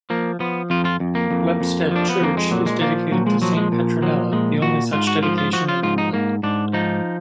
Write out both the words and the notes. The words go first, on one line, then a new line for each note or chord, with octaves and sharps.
Whepstead Church is dedicated to Saint Petronilla the only such dedication in England.
F3 A#3
F3 B3
F2 F4
F4
F2
A#3
F2
F2
F3 D4
B3
F2 A#3
G#3
A#2 F#3
G#3
F3 A#3
A#2 F#3
G#3
F3 F#3
G#3
A#2
F3 F#3
A#2 G#3
A#2 F#4
G#2 F4
F#4
F3 F4
F4
F3 F#4
F4
G#2 F4
D#4
G#2 A#3
G#2 D4
F3 D#4